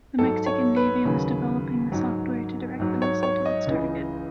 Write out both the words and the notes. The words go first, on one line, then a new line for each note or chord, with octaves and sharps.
The Mexican Navy was developing the software to direct the missile to its target.
G#2 F#3 A4
C#5
B4
D#2 C#3 F#3
G#2 F#3
G#2 F#3
C#5
C#5
D#5
C#2 C#3 E3